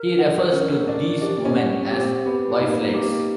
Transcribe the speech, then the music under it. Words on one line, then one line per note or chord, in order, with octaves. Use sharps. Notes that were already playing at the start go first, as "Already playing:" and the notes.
He refers to these women as "wifelets".
Already playing: A#4
F#5
C#4 A#4
D4 D5
D4 G4
C#4
F#5
C4 G4
B3 G4
B3
A#3 D#4
A#3 G4